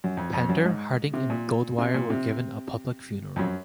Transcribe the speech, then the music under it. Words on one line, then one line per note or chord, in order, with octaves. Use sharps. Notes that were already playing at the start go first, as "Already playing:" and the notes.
Panter, Harding and Goldwyer were given a public funeral.
F#2
F2
F2
F#2
G#2
C3
A#2
C3
A#2
C3
F2
F#2